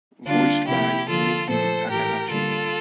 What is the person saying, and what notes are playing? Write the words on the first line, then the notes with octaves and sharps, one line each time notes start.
Voiced by Miki Takahashi.
D3 G3 A#3 D4 F4
C3 F3 A#3 E4 G4
D3 F3 A#3 F4 A4
A#2 F3 A3 A4 C5
A2 E3 A3 G4 A#4
D3 G3 A#3 F4 A4